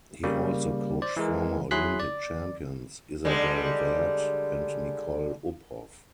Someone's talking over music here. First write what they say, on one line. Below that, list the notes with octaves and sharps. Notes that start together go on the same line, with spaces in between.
He also coached former Olympic champions Isabell Werth and Nicole Uphoff.
C#3 G3 A#3
C5 D5
E3 G#3 A#4
F#3 E4 G#4 C6 F#6 B6
D5
D3 G3 G#3